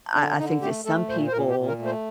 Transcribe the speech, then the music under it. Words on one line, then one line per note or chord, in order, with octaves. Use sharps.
I I think that some people
D3 D4
D3 D#4
A3 G4
A3 A4
A#2 C5
C5
A#2 A#4
G4
A#2
A#4
A3
C5